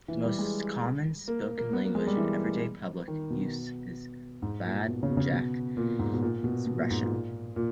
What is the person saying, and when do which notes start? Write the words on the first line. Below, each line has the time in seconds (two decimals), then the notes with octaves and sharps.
The most common spoken language in everyday public use in Budjak is Russian.
0.08 E3
0.24 G3
0.39 G#3
1.28 A#3
1.43 A#3
1.58 A#3
1.73 B3
1.85 A#3
1.95 G#3
2.07 G3
2.17 E3
3.08 D#3
3.30 B2
4.42 G#2
4.65 A#2
4.88 B2
5.03 C#3
5.10 B2
5.17 C#3
5.32 B2
5.77 A#2
5.99 G#2
6.13 B2
6.22 A#2
6.44 B2
6.67 B2
6.78 A#2
6.90 G#2
7.03 A#2
7.56 A#2